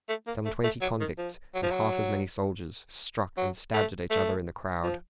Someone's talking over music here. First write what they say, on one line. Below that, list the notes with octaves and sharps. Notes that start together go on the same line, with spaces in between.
Some twenty convicts, and half as many soldiers, struck and stabbed at each other in the crowd.
A3
A#3
A3
A3
F#3
D#3
F3
F#3
F3
F#3
F#3
A3
A3
F3